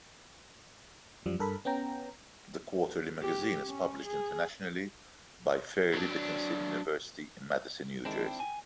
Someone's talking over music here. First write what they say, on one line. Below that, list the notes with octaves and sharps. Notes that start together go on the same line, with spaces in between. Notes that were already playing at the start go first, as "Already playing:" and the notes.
The quarterly magazine is published internationally by Fairleigh Dickinson University in Madison, New Jersey.
F#2 F3 G3
G2 A4 A#4 B5
B3 C#4 G5 A#5
G4
C#4
G#4
F#3 D4
D#3 G#3 C4 D4 E4
G5
G#5